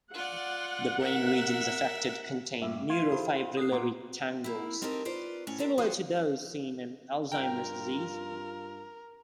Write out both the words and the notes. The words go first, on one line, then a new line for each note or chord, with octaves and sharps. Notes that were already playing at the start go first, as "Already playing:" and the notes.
The brain regions affected contain neurofibrillary tangles, similar to those seen in Alzheimer's disease.
F4 D5 F#5
A#4 E5
G2 A3 E5
F4 G#6 C7
E4 G4 A4 C5 B5
D#6 F#6 C7
A#2 F#5
A#3 E4
C4 D#4 G4 A4 A#4
F4 B4 C5 D5
A2 C#4
G4 A4 A#4 C5
F3 B3 C4 F#4 C5
G2 F4 A#4 G5